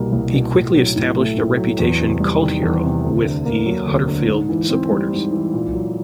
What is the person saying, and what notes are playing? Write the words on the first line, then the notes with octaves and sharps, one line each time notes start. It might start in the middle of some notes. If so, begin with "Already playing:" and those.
He quickly established a reputation cult hero with the Huddersfield supporters.
Already playing: C2 B2 G3 A#3
C2
B2
A2
F#3
A2
A3
A2
F#3
E2
C3
G3
D#3
E2
C3
D2
D3
A#3
F#3
D2
D3
G#2
E3
C4
G3
G#2
E3
A#2
F#3